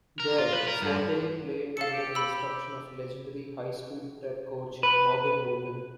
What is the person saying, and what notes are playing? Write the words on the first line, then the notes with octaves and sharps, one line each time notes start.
There, Forte played under the instruction of legendary high school prep coach Morgan Wootten.
A#4
F4
B4
A#4
G2
A4 F5 C#7
G4
B5 E6
B4